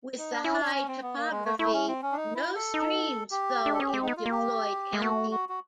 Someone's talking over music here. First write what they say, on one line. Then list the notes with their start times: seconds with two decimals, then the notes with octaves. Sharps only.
With the high topography, no streams flow into Floyd County.
0.18 D#4
0.32 D4
0.44 C#4 E4
0.59 D4
0.74 C#4
0.88 C4
1.02 B3
1.16 A#3
1.31 G#3
1.45 A3
1.59 A3 E4
1.73 C#4
1.88 C4
2.02 C#4
2.12 D4
2.17 D#4
2.35 E4
2.55 A4
2.74 D#4
3.31 G4
3.66 D4
3.74 A4
3.80 C#4 G#4
3.88 G4
3.94 C4
4.02 D#4
4.07 B3
4.17 F4
4.26 A#3
4.31 G4
4.93 G#3
5.02 A3 F#4
5.31 F#4
5.49 F#4